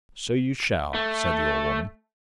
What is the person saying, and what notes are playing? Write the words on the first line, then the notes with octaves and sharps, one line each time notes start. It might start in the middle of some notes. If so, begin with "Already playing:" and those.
'So you shall,' said the old woman.
A3